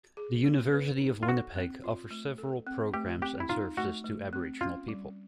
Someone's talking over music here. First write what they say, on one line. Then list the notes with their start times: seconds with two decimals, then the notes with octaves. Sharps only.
The University of Winnipeg offers several programs and services to Aboriginal people.
0.17 G#4
0.45 B3
0.72 B4
1.00 D#4
1.23 F4
1.28 F#4 A4
1.56 C4
1.84 F4
2.11 A3
2.38 A4
2.67 C4
2.94 A3 G4
3.22 C4 G4
3.40 E4
3.49 D#4 F4
3.77 A3 F#4
4.04 A3
4.33 C4
4.61 C#4 F4
4.88 G3